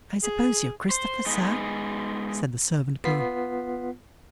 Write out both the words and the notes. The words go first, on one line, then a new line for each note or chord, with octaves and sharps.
'I suppose you're Christopher, sir,' said the servant-girl.
G#4
C5
G#3 B3 D#4
B3 F4 B6 C7